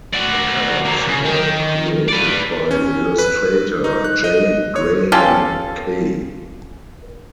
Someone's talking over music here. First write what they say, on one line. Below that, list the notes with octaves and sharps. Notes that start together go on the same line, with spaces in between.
The covers were created by illustrator J. Graham Kaye.
F#4 D5
F#3 A#3
C#3
D#3 G5
B4 D5
C#4
B4
D#4
F#6
D#5
C#5
C#4 F4 G4 A4